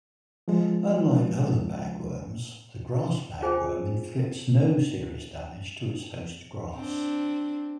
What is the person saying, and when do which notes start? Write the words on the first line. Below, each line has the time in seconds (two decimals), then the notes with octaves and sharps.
Unlike other bagworms, the grass bagworm inflicts no serious damage to its host grass.
0.48 F3 G#3
3.42 F4 G#4 C5 G5 G#5
6.76 C4 D4